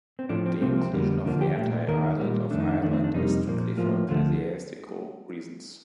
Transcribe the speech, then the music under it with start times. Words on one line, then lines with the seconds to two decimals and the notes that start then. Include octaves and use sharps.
The inclusion of the entire island of Ireland is strictly for ecclesiastical reasons.
0.19 C4
0.29 A2 F3 A3 D4
0.46 C4
0.61 C2 C3 F3 A#3 C4
0.78 C4
0.92 F2 D3 G3 A#3
1.25 D#2 D3 F3 A#3 D4
1.41 G4
1.56 A#2 A3 G4
1.87 D#2 D#3 A#3 A#4
2.19 A#2 G3 A#3
2.51 F2 D#3 A3 D4
2.60 D#4
2.69 D4
2.82 F2 D#3 A3 D4
2.93 C4
3.04 D4
3.14 F2 C3 G3 A#3 D#4
3.47 A#2 F3 A#3
3.77 A2 F3 A#3 F4
4.09 D2 D3 F3 A3 F4